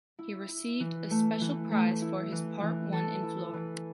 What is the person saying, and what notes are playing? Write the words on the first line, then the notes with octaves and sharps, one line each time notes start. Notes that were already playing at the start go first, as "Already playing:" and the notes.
He received a special prize for his part won in Flohr.
E4
E4
E3
A3
E3
A3
E4
E3
E3
E3 A4
E4
E3